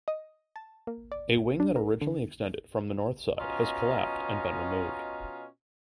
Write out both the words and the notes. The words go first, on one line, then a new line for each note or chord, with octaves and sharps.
A wing that originally extended from the north side has collapsed and been removed.
D#5
A5
A#3
D5
D4
A#4
D3
B2 C#4 F4 D#5 A#5